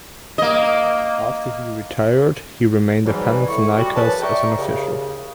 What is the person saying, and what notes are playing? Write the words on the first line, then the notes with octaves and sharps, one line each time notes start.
After he retired, he remained in Panathinaikos as an official.
A#3 D#5
G#2 B2 E3 F#3 G3
A2 E4 C#6
G3 F#4
F#2 C#3 F3 B4 A5
D5 E5 G5 A#5 C#6
D#2 C#3